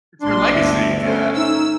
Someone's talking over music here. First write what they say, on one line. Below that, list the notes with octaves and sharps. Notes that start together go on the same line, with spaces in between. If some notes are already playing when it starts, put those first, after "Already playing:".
It's her legacy, yeah.
A#1 D4 C6
G1 D2 E5
A3 C#4 C5 E5
D#4 E6